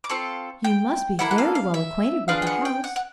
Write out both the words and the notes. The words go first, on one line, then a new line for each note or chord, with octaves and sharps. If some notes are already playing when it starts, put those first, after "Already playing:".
"You must be very well acquainted with the house!"
D6
C4 F4 A4 C#6
G5
A#3 C#4 E4 A4 F#5
F#5
F5
F5
E5
B3 D4 F4 G#4 F5
G5
F#5
G5
F#5
F#5